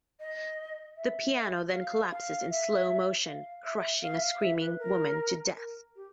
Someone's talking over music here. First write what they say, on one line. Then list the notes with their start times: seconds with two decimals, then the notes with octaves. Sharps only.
The piano then collapses in slow motion, crushing a screaming woman to death.
0.20 D#5
0.96 E5
1.72 F5
2.11 F5
2.49 E5
3.26 F5
3.64 E5
4.02 F5
4.15 E5
4.22 F5
4.40 E5
4.60 B4
4.79 A#4
5.55 A#4
5.96 G4